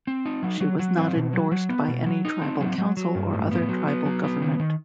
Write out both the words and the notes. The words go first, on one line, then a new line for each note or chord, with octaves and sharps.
She was not endorsed by any tribal council or other tribal government.
C4
D#4
F#3
F#3
F#3
C4
B2
F#3
F#3
B3
B2
F#3
D#4
C4
F#3
F#3
F#3
G2
A2
B3
F#3
B3
F#3
B3
D#3
D#3